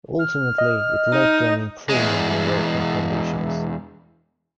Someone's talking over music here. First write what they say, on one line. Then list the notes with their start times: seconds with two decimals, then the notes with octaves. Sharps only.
Ultimately it led to an improvement in working conditions.
0.19 F6
0.58 D#5
1.12 D#4
1.89 E2 G#3